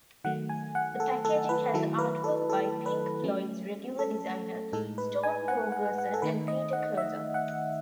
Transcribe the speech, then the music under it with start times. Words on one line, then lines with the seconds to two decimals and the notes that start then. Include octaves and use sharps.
The packaging has artwork by Pink Floyd's regular designer, Storm Thorgerson, and Peter Curzon.
0.24 D#3 F#3 A3 F#5
0.49 G#5
0.75 F#5
1.00 A4
1.25 A4
1.49 B4
1.74 D#3 F#3 A3 E4 A4
1.98 B4
2.24 A4
2.50 A4
2.86 B4
3.24 F#3 A3 C#4
3.99 A4
4.73 A2 G#3 D#4 A4
4.98 B4
5.23 G#5
5.48 F#5
5.72 F#5
5.98 F#5
6.14 A4
6.22 D#3 A3 D#4 B4
6.48 D#5
6.73 F#5
6.97 E5
7.34 F#5